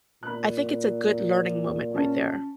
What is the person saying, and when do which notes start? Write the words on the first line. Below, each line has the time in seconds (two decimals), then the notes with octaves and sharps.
I think it's a good learning moment right there.
0.23 A#2 B5 F#6
1.95 C#4 A5